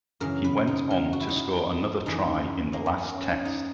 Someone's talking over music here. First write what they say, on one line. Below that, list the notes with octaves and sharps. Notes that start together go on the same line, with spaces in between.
He went on to score another try in the last Test.
F#2 C#3 E3 A#4
B4
D#4
A#4
F#4
E4
D#4
E4
F#2 E3 D#4
A#3
B3
C#4
D#4